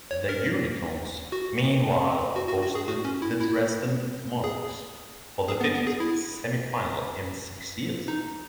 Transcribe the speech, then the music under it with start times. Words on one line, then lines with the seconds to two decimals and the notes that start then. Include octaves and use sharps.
The Unicorns meanwhile hosted the Dresden Monarchs for the fifth semifinal in six years.
0.11 C#5
0.29 A#4
1.32 F#4
2.36 F#4
2.49 F#4
2.62 F#4
2.75 G#4
2.88 F#4
3.05 C#4
3.22 E4
3.41 E4
4.44 G#4
5.48 G#4
5.61 B3
5.74 B3
5.87 G#4
6.00 E4
8.08 D#4